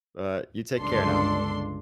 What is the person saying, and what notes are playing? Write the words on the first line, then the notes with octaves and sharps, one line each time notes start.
But, you take care now.
G1 C#2 D4 A4 C6